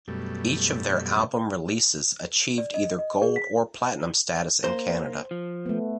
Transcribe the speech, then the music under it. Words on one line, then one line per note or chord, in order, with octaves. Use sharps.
Each of their album releases achieved either gold or platinum status in Canada.
F#2 B2 G3 A3
D5
D#5
D#5
G#4
B6
A#3 C5
F3
A3 B3